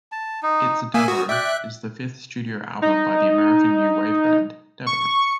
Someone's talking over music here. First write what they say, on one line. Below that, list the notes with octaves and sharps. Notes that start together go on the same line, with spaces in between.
It's Devo is the fifth studio album by the American new wave band Devo.
A5
D#4
A#3 E5 G#5 D#6 E6
F#4 D#6
D5 E5 G5 F#6
D#4
C#6